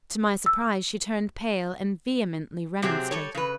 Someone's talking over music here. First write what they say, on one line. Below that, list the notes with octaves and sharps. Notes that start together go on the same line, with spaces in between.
To my surprise she turned pale, and vehemently remonstrated.
E6
C3 F#3 C4 G4 G#4
G3 A4 C#5
C#3 B4